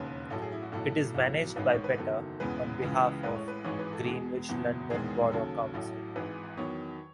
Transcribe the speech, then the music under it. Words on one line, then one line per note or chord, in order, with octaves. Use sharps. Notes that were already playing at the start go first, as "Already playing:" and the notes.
It is managed by Better on behalf of Greenwich London Borough Council.
Already playing: E1 D#2 C#3 B4
A1 A2 F#3 A4
G#4
E4
F#4
B1 A2 F#3 A4
B1 A2 F#3
A1 G#2 D#3 G#3 B4
C#5
B4
F#1 E2 D#3 F#3 A4
E1 E2 C#3 E3 G#3 B4
C#2 C#3 E3 G#3
A1 A2 G#3 B4
C#5
B4
G#1 G#2 E3 G#3 C#5
B4
A4
E2 B2 G#3 G#4
F#1 E2 B2 F#3
E1 E2 D#3 G#3 G#4
D#2 C#3 F#3 A4
A1 A2 F#3
G#1 G#2 E3 G#3 B4
E2 D#3 F#3 C#5